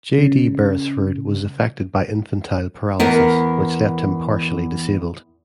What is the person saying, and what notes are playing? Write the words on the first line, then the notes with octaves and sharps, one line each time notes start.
J. D. Beresford was affected by infantile paralysis, which left him partially disabled.
C#3
E2 B3 A#4